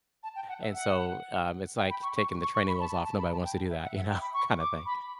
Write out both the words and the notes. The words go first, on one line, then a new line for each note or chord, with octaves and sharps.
and so, um, it's like taking the training wheels off, nobody wants to do that, you know, kinda thing,
A5
G5
F#5
E5
F#5
G5
B5
C#6
C#6
C#6
C#6
B5
A5
A5
A5
B5
A5
G5
E5
F#5
E5
G5
B5
C#6
D6
B5